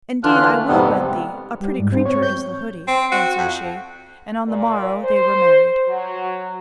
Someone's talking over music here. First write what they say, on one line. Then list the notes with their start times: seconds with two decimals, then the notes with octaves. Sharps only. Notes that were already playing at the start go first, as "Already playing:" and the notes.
'Indeed I will wed thee; a pretty creature is the hoodie,' answered she, and on the morrow they were married.
0.23 D3 E3 D4 F4 F6 F#6
0.55 A3
0.68 F2 G#2 C3 G3 B3 C4
1.60 G3
1.79 G#2
1.92 C4
2.06 C#5
2.23 G6
2.88 C4
3.12 F#4
3.38 F2
4.46 A#2
5.02 C5
5.87 F#3